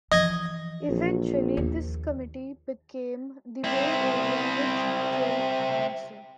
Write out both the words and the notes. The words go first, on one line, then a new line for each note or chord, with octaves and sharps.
Eventually, this committee became the Bay Area Ridge Trail Council.
E3 F3 D#5 G#6 A#6
A#1
D#2
C4 E4